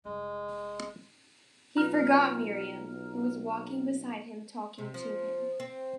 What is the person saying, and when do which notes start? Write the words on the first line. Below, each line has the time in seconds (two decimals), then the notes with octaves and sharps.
He forgot Miriam, who was walking beside him talking to him.
0.05 F1 G3 G#3
1.77 B1 F4 B4 A#5 F6
4.78 C3
4.94 F3
5.60 C4